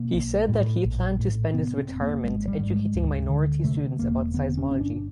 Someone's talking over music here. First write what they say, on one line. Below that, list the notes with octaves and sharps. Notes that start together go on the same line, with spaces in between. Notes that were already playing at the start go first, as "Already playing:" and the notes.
He said that he planned to spend his retirement educating minority students about seismology.
Already playing: B2 A#3
B1
A2
A#1
A2
C3 B3
C4
E1
A#3
G#1 G#3
G3
G#2
G#3
D2
D3
C3 A3
E1 A#3
D3 B3
C#4
G1 C#4
D4